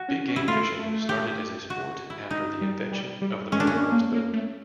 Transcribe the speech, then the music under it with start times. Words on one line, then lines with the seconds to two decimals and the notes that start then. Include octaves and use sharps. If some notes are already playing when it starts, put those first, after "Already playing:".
Big-game fishing started as a sport after the invention of the motorized boat.
Already playing: F#4
0.09 C#4
0.28 C#4
0.36 E4
0.48 A3 F4
0.79 A3
1.09 G4
1.70 F#4
2.10 E4
2.31 D#4
2.61 G3
2.92 G3
3.22 G3
3.52 G#3 C#4
3.60 D4
3.67 A3 C#4
3.72 A#3
3.92 A#3
4.12 A#3
4.33 A3